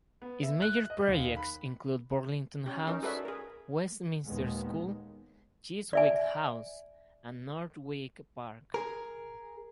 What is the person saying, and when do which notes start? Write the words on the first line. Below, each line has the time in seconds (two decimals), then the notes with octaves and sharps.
His major projects include Burlington House, Westminster School, Chiswick House and Northwick Park.
0.22 B3
0.43 E5
0.62 F#6
0.90 D#5
1.08 D#2
1.37 B5
2.66 C#4 G4
2.87 C#4 D#4 A#4
3.03 F#4 G#4 A4 B4 D5 E5
3.25 G#4 A#4
4.23 D#2 A#2 D#3 G#3 B3
5.93 D5 E5 G#5
8.74 G#4 A#4